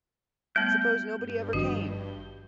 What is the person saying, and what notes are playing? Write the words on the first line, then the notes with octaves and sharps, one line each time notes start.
Suppose nobody ever came!
G3 A3 B3 G6
G2
G#1 D#3 F3 D4 F#4